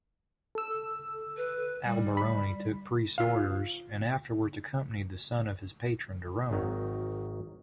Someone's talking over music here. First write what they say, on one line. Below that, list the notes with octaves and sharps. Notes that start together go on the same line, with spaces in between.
Alberoni took priest's orders, and afterwards accompanied the son of his patron to Rome.
A4 E6
B4
G3
B5
F4 F5
G#1 D#3 F#3